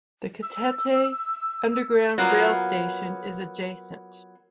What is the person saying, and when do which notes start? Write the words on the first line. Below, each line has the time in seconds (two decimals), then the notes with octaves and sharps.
The Catete underground rail station is adjacent.
0.43 E6
2.18 F#3 A#3 B3 F4